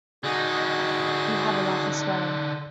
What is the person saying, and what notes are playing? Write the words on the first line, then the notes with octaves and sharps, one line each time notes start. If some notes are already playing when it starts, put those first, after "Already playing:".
You have a lot of swelling.
D3 D#4 F#4 G#4 F#6